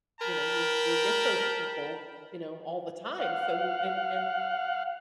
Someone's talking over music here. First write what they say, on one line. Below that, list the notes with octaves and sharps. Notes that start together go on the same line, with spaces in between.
you know, you're you're with those people, you know, all the time. So, and and,
A#4 G5 A5 B5
F5 F#5